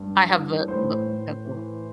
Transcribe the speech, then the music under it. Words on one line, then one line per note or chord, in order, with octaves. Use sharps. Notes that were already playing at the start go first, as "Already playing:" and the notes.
I have the the pencil.
Already playing: G2
E3
A2 C5
A2
E3